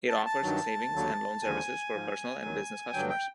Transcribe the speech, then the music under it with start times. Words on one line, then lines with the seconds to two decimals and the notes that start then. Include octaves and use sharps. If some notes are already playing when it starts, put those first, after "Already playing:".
It offers savings and loan services for personal and business customers.
0.09 A5
0.26 A5
0.43 G2 D#3 F#3
0.93 D#2 D3 F#3
1.42 D#2 D3 F3 G#5
1.93 G#2 F3
2.43 D#2 D#3 F#3
2.93 G2 D3 F#3 G5
3.09 G5